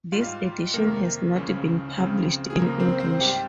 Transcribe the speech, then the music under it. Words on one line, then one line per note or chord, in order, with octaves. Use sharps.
This Edition has not been published in English.
G#2 G3 F4 F5
F2 C3 D#3 A#3 A#4
C#2 C#3 F3 C#4
C#4
C#2 C#3 F3 C4
G#4
C#2 C#3 F3 A#3 A#4
C4 C5
C4 C5
G#2 G3 G4 G5